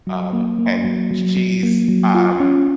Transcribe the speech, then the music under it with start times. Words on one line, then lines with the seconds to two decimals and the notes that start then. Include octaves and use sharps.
um, and sh she's, um
0.07 F#3
0.33 A#3
0.59 A#3
0.85 F#3
1.11 F#3
1.37 F#3
1.63 A#3
1.88 F#3
2.15 F4
2.40 C#4